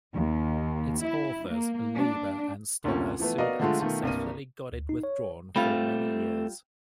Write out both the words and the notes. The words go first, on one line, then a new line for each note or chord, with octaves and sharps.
Its authors, Leiber and Stoller, sued and successfully got it withdrawn for many years.
D#2
E4
A#3
D4
D2 C3 F3 A#3 C#4
E3 F3 A3 B3
B3 F#4 A#4 D5 D#5 F5
D3 F3 G#3 A3 F4
B2 D#3 A3 F4
C2 G2 A#3 A#4 D#7
D2
D#4
C#5
G3 A3 C4 F4